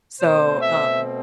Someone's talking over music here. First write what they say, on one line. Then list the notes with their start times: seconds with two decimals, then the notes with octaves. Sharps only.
So, um,
0.21 B2 A3 C4 C5
0.60 E5